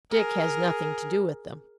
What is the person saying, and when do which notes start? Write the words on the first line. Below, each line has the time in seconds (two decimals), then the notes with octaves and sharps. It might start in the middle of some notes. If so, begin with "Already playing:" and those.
Dick has nothing to do with them.
0.11 G#4 A#4